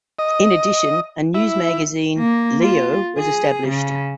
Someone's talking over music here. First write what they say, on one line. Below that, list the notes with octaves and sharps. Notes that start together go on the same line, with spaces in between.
In addition, a newsmagazine, "Leo", was established.
D#5
E4
A#3
F4
G#4
C#3